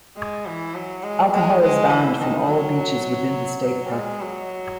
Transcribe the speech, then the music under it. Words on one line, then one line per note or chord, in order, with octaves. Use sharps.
Alcohol is banned from all beaches within the State Park.
G#3
E3
F#3
G#3
G#3
G#3
E3
D#3
F#3
F#3
G#3
F#3